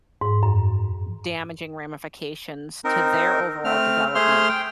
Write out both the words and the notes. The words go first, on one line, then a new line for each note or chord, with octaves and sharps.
damaging ramifications to their overall development
G#2
F#2
C4 D#4 A#4
A3 C4 F6
A3 G#4 C5 C6 F6
G5